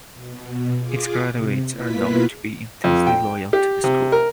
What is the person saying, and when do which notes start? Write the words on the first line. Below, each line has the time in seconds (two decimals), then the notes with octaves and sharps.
Its graduates are known to be intensely loyal to the school.
0.14 B2
0.78 F4 G#4 D6
1.32 C3
1.72 B2 A#3 E4 F4 B4 B6
2.84 F2
3.07 G5
3.53 G4
3.84 C3
4.12 A#4